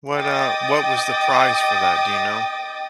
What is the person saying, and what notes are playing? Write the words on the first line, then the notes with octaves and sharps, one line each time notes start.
what uh, what was the prize for that, do you know?
D#5 G5 D6 D#6 A6